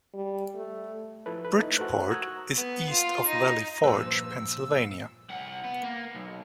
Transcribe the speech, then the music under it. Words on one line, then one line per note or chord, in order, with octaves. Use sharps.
Bridgeport is east of Valley Forge, Pennsylvania.
G3
A3
F3 E4 A4 B4
B4
A3 D#4 E4
F#4 A4 A#4 C5 F#6
A#5 C#6 D#6 E6 F#6 G#6
B3
F4
D#4
G2 A#2 F3 B4 C5 E6
C2 F#5
B3
A#3
B1